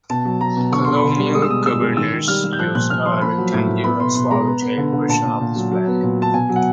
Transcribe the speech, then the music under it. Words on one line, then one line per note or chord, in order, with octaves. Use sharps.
Colonial governors used a rectangular swallow-tailed version of this flag.
B2 A5
F#3
F#3 A#5
B2
D3 C#6
D3 C6
B5
D3
C6
G3
G#3 D#6
E6
B2 D#6
G#3 E6
G#3
D#3 E6
D#3
G3 F6
G3
G6
F3 F#6
A#2 F#6
A#2 F6
F3 C6
A#3 B5
F#3
A2
A2
B3 B5
B2 C6
B2 C6
G#3 A#5
B3
B3
D3
D3
A#2 A5
A#2
A#2
F#3
F#3
B3
A#2
B3 A5
B2 G#5
F#3
F#5